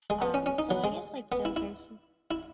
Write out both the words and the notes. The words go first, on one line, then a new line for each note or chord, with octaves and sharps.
Um, so I guess, like, those are some
G#3
B3
C#4
C#4
D#4
F#3
G#3
B3
E4
E4
E4